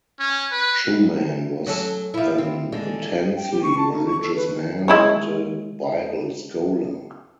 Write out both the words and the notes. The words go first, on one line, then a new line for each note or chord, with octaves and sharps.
Schuman was an intensely religious man and a Bible scholar.
C#4
B4
F#3 C#4 A4
F3 E4
C4
D3 G#3
G5
G4
C#6
A5
D#4
C#6
A4
B4
G#3 E4 C#5